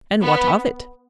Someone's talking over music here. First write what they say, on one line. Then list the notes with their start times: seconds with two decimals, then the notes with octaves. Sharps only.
"And what of it?"
0.22 B3